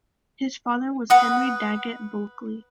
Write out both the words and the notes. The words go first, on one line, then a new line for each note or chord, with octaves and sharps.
His father was Henry Daggett Bulkley.
B4 F#5 D#6